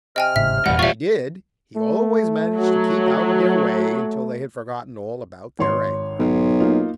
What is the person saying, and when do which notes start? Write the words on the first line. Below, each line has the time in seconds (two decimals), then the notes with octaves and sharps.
But when he did, he always managed to keep out of their way until they had forgotten all about their anger.
0.16 C3 D#5 G5 G#5 F6
0.36 G#1 A2 C#3 E5
0.66 F1 E2 G2 A#2 F#5
0.79 G3 F4 E5 C#6
1.76 A3
2.56 F#3
5.59 G#1 C#5 C6
6.19 B1
6.60 A#3 D#4 F4